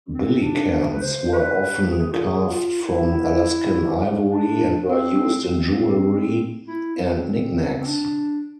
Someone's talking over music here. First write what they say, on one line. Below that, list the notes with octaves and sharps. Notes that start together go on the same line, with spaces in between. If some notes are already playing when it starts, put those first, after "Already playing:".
Billikens were often carved from Alaskan ivory and were used in jewelry and knick-knacks.
C4
D4
D4
B4
C5
B4
G#4
F4
G#4
F4
E4
D4
C4
C4
E4
C4
C4
D4